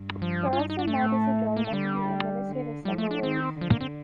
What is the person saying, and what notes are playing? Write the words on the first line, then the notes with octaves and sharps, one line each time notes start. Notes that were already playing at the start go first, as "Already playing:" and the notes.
Furosemide is a drug that can be administered in several ways.
Already playing: G2
F3
F4
D#4
D#4
D4
A3
A2
A#3
A3
D3 G3
D3
F3 G3
A3
D4
D#3 C4
D3 F3
A#3
C4